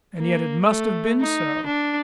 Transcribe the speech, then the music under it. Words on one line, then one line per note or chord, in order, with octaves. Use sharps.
And yet it must have been so!
A#3
A3
D#4
D4